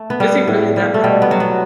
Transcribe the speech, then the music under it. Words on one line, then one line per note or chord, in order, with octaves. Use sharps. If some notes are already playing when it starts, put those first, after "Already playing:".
Is he really that powerful?
Already playing: A3
B3
G3
A2
G3
A3
B2 G3
B3
F#3
B3